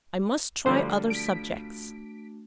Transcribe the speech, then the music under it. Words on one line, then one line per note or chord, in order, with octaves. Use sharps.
"I must try other subjects."
D3 F3 G3 A3 D4 F#4 C5
B6 D7